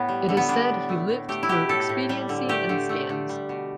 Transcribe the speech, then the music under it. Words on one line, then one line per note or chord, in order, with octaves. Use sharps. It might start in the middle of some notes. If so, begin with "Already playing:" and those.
It is said he lived through expediency and scams.
Already playing: A2 B3
G3
D3
B3
G3 D4
A2
A3
A2
A3 G4
E4
B2 G4
A2 A4
A2
G3
D3
A3 G4
D3
A3
D3
G3
B2